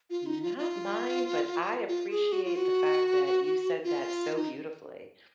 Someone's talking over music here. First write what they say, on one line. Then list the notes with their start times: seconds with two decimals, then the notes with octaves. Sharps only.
Not mine, but I appreciate the fact that you said that so beautifully.
0.10 F4
0.26 D#4
0.42 F4
0.58 F4
1.88 F4
2.10 G#4
2.32 F#4
2.45 F4
2.56 F#4
3.84 F4
4.36 D#4